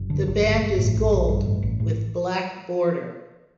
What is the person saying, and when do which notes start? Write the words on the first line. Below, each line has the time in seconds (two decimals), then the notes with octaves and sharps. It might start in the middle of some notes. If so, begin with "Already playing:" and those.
The band is gold with black border.
Already playing: F#1
0.10 D3
0.27 G1
0.45 G1
0.62 G1
0.78 A2
0.95 A#1
1.13 A#1
1.29 G2
1.45 A1
1.63 A1
1.80 A2